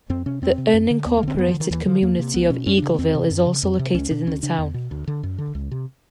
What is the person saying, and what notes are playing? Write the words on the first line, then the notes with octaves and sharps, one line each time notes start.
The unincorporated community of Eagleville is also located in the town.
F2 C4
C3 C#4
F2 C4
C3
F#2
D3
D#2 B3
A#3
D3 C4
F2 B3
F3
D3
D#3
D#2 E3
D3 F3
E2 A#3
C3
C#2 B3
B2 C#4
F#2 C#4
C#3 D4
B3
E2 C4
C3
F#2
C#3
F2
C3
C#2 C#4
B2 D4
D2 C#4
C#3 D4
E2
B2
D2
D3
F#2
D3
C#2
C3